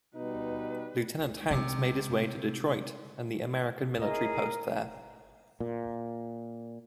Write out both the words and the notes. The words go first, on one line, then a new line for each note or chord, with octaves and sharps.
Lieutenant Hanks made his way to Detroit and the American military post there.
B2 G3 D#4 B4
C3 G#3 D4
C#4 E4 G#4 A#4 D#5
A#2